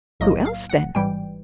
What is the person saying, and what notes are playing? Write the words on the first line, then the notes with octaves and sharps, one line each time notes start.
"Who else, then?"
B1 A2 F#3 A#3 D#5
F5
F#5
A1 G#2 E3 G3 G5